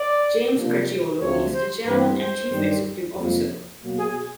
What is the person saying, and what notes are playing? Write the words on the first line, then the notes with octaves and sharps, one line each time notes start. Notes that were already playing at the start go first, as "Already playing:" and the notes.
James Cracchiolo is the chairman and chief executive officer.
Already playing: D5
C3 F3 A#3 D4
D2 C3 F3 C#5
C5
G2 E3 G3 C4 B4
C5
G2 D#3 G3
F2 C3 F3 A#3
B2 F#3 A#3
G#4
G#4